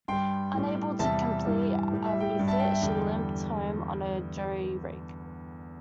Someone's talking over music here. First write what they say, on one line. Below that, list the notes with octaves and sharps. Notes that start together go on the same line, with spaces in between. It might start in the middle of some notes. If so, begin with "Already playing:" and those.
Unable to complete a refit she limped home on a jury rig.
G2 G3 G5 C6
A2 G3
E2 C3 G3 E5 A5
G2 E3 G3
A2 G3
E5
G5
G2 G3
E5 A5
G5
E5
E2 D3 G3 G5